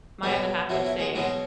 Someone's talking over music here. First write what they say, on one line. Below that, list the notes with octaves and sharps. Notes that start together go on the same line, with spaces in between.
my other half would say,
B2 F#3 G#3 B3 G#4
B2 F#3 B3 E4
E4
G#3 G#4
B2 F#3 G#3 B3 G#4